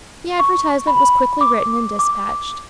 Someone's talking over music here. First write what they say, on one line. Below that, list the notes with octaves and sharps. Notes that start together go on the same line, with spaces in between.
The advertisement was quickly written and despatched.
C#6
B5
D6
D6